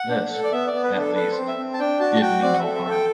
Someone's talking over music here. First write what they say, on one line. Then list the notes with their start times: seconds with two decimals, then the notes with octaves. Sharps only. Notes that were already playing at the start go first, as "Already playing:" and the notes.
This, at least, did me no harm.
Already playing: F#5
0.09 D4
0.30 A4
0.43 D5
0.52 B3 E5
0.67 D5
0.73 B3
0.84 B4
0.95 D4 A4
1.15 A4 B4
1.32 C4 C5
1.48 E5
1.58 C4
1.74 A5
1.79 D4 G5
2.00 F#4 A5
2.15 A5
2.21 F#4 G5
2.42 C4 D5
2.54 F#5
2.59 A4 E5
2.75 E5
2.86 A4
2.91 G5